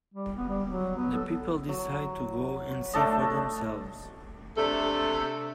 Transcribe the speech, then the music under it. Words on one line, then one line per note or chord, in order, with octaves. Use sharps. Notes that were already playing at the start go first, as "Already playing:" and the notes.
The people decide to go and see for themselves.
G3
B3
G3
F#3
B3
A4
F#3
A3 D4 A4 D#5
C3 A3 D4 A4